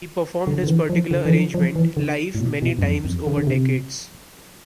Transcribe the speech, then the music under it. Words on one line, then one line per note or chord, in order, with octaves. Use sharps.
He performed his particular arrangement live many times over decades.
D3
D3
E3
F3
D3
E3
F3
F3
E3
D3
A2
B2
B2
G2
F2
F2
D3
D3
C3